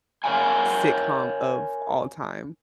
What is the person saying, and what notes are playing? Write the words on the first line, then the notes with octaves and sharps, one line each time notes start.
sitcom of all time.
A#4 C#5 D5 F5 G#5